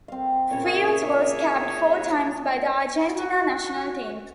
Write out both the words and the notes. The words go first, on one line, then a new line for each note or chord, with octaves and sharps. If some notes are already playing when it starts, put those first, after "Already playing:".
Funes was capped four times by the Argentina National Team.
C4 F5
A#2 C#3 C#5
G#4 C#5 E5
F#4